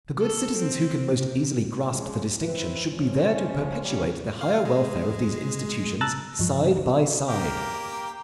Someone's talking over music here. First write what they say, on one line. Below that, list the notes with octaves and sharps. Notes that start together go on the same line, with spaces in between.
The good citizens who can most easily grasp the distinction should be there to perpetuate the higher welfare of these institutions side by side.
A4
C4
C3
F3 G#3 C#4
D#3 C4 E4 B4
F3 G#3 C#4
F#2 C#3 G3 C#4
F5
G#3
A5 A#5 E6 F#6 A6
G2 F3
A#3 G4 A#4